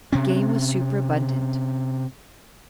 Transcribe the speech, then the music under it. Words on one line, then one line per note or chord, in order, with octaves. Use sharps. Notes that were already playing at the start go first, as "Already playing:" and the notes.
Game was superabundant.
C3 C4 C#4